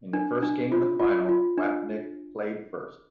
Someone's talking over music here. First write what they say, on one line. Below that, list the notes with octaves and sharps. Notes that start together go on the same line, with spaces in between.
In the first game of the final, Wapnick played first.
D4
D4
F4
F4
F4
D4